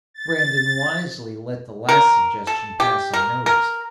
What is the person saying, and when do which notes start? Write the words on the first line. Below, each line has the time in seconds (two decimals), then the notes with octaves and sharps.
Brandon wisely let the last suggestion pass unnoticed.
0.14 A6
1.89 A#4
2.47 A4
2.80 G4
3.13 A#4
3.46 A#4